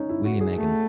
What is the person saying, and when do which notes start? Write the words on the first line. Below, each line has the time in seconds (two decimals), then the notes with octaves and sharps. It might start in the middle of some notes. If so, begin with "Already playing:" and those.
William Egan.
Already playing: C#4 D#4
0.09 E4
0.25 F#4
0.41 G#4
0.57 A3